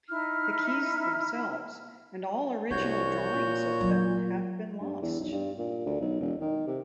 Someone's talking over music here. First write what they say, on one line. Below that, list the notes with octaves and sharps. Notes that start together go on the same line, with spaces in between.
The keys themselves, and all original drawings of them, have been lost.
D#4 E4 F6
C2 D4 F#4 C#5 G6
A#2
F#3 A3
G2
E2
B1
G2
A#2
D2
B1
E1
D#3
C3